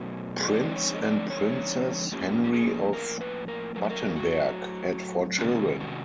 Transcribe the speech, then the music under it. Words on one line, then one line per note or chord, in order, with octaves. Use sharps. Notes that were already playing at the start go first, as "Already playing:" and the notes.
Prince and Princess Henry of Battenberg had four children.
Already playing: B2 F#3 A3 C#4
D3 F3 G#3 C4 D#4 D5
C#5
D#5
D5
C#5
A2 F3 A#3 C#4 F4 G4
G4
G#4
A#4
B4
A#4
A2 F#3 A3 A#4
B4
A#4
F#4
C3 D#3 G#3 C#4 F4
F#4